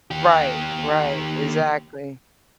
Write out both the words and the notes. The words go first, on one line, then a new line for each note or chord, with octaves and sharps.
Right, right, exactly.
D#3 G4